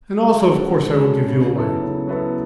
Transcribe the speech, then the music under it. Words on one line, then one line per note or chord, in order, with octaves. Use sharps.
And also of course I will give you away.
G#3
C#4 F#4 A4
G#3
C#4 F#4 A4
C#3
F#3 B3 E4 A4
C#3
F#3 B3 E4 A4